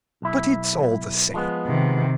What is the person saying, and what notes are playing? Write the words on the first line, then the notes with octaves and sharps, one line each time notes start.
But it's all the same.
B1 E4
F3 G#3 B3
C3 D#3